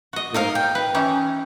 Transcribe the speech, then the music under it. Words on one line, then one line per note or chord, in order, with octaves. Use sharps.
you know?
F#4 D#5
D#4 A#4 F5
G5
B4
E3 C#4 D#4